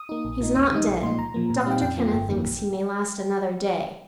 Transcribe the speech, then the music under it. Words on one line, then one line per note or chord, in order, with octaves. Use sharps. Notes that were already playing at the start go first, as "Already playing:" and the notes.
He's not dead; Doctor Kenneth thinks he may last another day.
Already playing: D#6
A#3 D#4
A#1
A#2 A#3 D#4
D#2 D#6
D#3 G3 D#4 D#6
A#1
A#2 F3 D#4 C6
C2 A#5
A#2 F3 A#3
A#2
F5
G3 C4 D#4 G5
F2 G5
F3 A#3
G1
F2 D#3 A#3
A#1